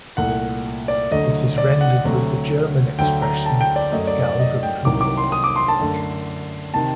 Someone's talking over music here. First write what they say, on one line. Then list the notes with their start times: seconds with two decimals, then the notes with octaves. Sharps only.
It is rendered with the German expression "Galgenhumor".
0.17 C2 A#2 A3 F#5
0.88 D5
1.11 D2 D3 F#3 A3 D#5
1.58 D5
1.81 F#5
2.05 D2 C3 F#3 A3
2.99 D2 D3 F#3 G5
3.22 A#5
3.46 A5
3.61 G5
3.76 D5
3.92 F#2 F#3 A3 D#5
4.07 D5
4.24 D5
4.39 D#5
4.63 G5
4.85 C2 C3 D#3 F#3 D6
5.01 D6
5.18 C6
5.32 D#6
5.44 D6
5.56 C6
5.68 A5
5.79 F#2 D3 A3
6.74 C3 D#3 A5